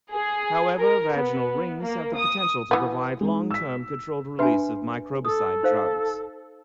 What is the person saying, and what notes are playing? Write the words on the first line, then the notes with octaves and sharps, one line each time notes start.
However, vaginal rings have the potential to provide long-term controlled release of microbicide drugs.
G#4
A#4
B3
A#3
D#6
E3 B3
G#3 D#4
E6 B6
D4 B4 E5 G#5 C6
A4 D#6
D#4 C5 F5